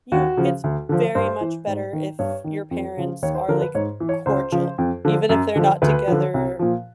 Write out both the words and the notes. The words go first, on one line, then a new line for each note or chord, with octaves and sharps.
you it's very much better if your parents are, like, cordial, even if they're not together,
D#2 F#4
C#3 F3
D2
D3 F3
G2 C5
E3
G#2
D#3
G2 C#5
D#3
F2
C#3 F3
D#2 C#5
C5
D3 F3 A#4
B4
G#2 C#5
E3
C#5
C#2 C5
C#3 F3
F2
D3 F3
F#2
D3 F3
D2 B4
D3 F3
C2
A#2 F3